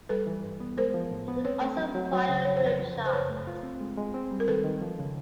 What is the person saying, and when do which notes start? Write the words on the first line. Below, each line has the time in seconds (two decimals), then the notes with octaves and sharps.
It could also fire grapeshot.
0.09 G3 A4 B4
0.27 E3
0.44 G2
0.60 B3
0.77 G#3 A#4 C5
0.94 F3
1.11 A2
1.28 B3
1.45 C4 B4 C#5
1.61 A3
1.78 F#3
1.95 F#3
2.13 F#3
2.29 C#3
2.45 F2 C#5
2.57 C5
2.62 F2 B4 C#5
2.79 F3
2.96 C#3
3.06 C5
3.13 F#2 B4 C#5
3.30 A3
3.47 F4
3.63 C4
3.81 G#3
3.97 G#3
4.14 C4
4.31 G3
4.40 A#4
4.48 D#3 A4 B4
4.64 D#3
4.81 F3
4.99 C#3